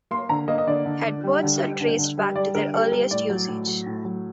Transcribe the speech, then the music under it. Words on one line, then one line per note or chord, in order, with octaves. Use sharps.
Headwords are traced back to their earliest usage.
A#3 C6
D3 A#5
A#3 D#5
D#5
D3 D5
D3
D3
G3
D3
G3
D3
D3
G3
G3 D5
D3 A#4
G3 A4
G3 A#4
A2 D5
F#3
A2
F#3
A2
F#3